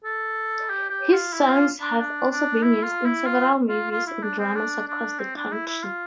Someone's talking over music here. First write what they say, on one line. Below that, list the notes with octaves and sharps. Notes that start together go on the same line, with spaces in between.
His songs have also been used in several movies and dramas across the country.
A4
G4
G4
F4
E4
F4
D4
D4
D4
E4
F4
E4
F4
F4
F4
E4
D4
C4
D4
D4
C4
D4
E4
E4
F4